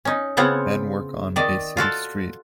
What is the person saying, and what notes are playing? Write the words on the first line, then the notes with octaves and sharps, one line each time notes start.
Men work on a city street.
C#4 D#4
C#3 B3 C4 F4 C#5 F#5
D#3 D5 D#5
F4 F#4 A4